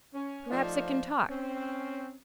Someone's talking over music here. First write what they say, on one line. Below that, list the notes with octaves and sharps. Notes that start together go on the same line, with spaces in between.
"Perhaps it can talk."
C#4
F3 A3 D#4 F4 C5 D5
C4 C#4